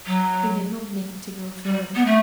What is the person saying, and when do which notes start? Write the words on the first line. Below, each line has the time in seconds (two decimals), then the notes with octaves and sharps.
He did not need to go further.
0.06 F#3
1.65 G3
1.95 B3
2.05 A3